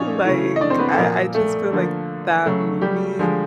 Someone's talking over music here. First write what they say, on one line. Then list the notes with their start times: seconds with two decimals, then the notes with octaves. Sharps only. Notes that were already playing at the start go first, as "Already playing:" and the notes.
Like, I I just feel like that movie
Already playing: A#2 F3 C#4 D#4 C#5
0.24 C#3 E3 A3
0.56 D#5
0.61 D4 D5
0.70 C4 C5
0.79 B3 B4
0.93 A4
0.97 A#2 F3 A#3 A#4
1.34 A3 A4
1.72 D3 F3 A#3
2.45 C#3 F#3 A3
2.81 G3 G4
3.19 D3 F3 G#3